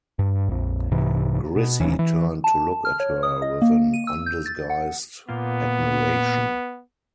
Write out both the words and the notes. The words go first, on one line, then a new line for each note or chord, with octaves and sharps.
Grissie turned to look at her with an undisguised admiration.
G2
A#1 F2
C2 G#2 C3 E3
B2
D#1 D#2 E3 C#4
E3
A5
F6
C#5
D#6
D#5
A#3
D#7
E6
G6
A6
F#5
A#2 A#3 B3 F4